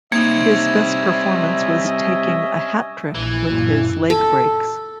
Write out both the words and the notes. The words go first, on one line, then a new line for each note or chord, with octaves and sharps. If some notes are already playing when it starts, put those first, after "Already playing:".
His best performance was taking a hat-trick with his leg breaks.
G3 A#3 C4 C#4 D#4 D#5 E5 G#6
A#1 E3
F#1 A#2
A4